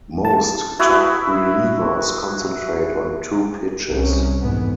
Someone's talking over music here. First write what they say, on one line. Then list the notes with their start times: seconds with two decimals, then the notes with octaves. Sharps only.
Most top relievers concentrate on two pitches.
0.25 A5
0.79 E4 F#4 E5 D#6
3.90 C2 C#4
4.41 F2 G#2 E3 B3